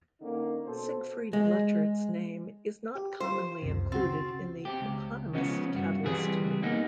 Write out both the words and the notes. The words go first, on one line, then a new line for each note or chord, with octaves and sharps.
Siegfried Blechert's name is not commonly included in the eponymous catalyst name.
D3 A#3 C#4 D#4
B2 A4 C5
G#3
G4
F4 C5
C#2 F#2 C3
C#3 C4 F#4 A6
C4 G4
C#2
C#3 F3 B3 C#4
G2 F#4
C3 E3 G3 G#4 B4
A#3 B3 D#4